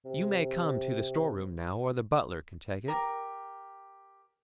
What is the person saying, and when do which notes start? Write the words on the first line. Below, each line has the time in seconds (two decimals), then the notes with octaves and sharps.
'You may come to the store-room now, or the butler can take it.'
0.05 C3
2.88 G4 A#4